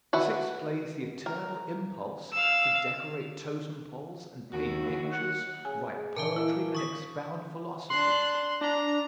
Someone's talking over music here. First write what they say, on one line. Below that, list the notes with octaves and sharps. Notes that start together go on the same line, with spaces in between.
This explains the eternal impulse to decorate totem poles and paint pictures, write poetry and expound philosophy.
F#4 B4 E5 F#5
A#4
F5 E6
D#2 F#4
F#5
C#3 G#5
G#4
A#2 D#3 E3 G#5 A5 D6
A#3 E4 E5
C#6 D#6 B6
D4 C6 F#6
D4 A#5